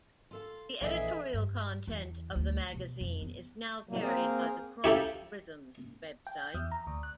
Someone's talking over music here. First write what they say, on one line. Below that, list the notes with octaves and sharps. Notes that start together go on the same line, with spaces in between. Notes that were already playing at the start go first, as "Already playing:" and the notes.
The editorial content of the magazine is now carried by the Cross Rhythms Website.
F4 A4 F5
A#1 E3 E4 G#4 A4 D#5 E5
G2
E2
D2
B2
F2
B3
A2 C3 F#3 G3 A#3
A#3 C4 G#4 A#4
E4 G4 A4 F5
G5
G6
E2
A#5
D2
F#6